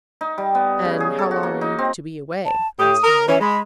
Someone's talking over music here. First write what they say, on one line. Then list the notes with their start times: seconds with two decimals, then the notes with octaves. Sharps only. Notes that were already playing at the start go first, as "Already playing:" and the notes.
"And how long are you to be away?" asked Harry.
0.21 D#4
0.38 G3
0.55 B3
0.85 C#3
1.00 G#4
1.19 A4
1.31 F#4
1.43 A#3
1.61 D#4
1.79 C4
2.45 A5
2.79 A2 G4 D#6
3.04 A#4
3.28 E3 C#4 E5
3.41 G#3 B5